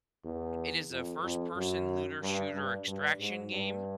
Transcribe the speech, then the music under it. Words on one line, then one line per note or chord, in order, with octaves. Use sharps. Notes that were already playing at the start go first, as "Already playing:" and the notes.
It is a first-person looter shooter extraction game
E2
F2
F2
F#2
G2
G2
G2
G#2
G2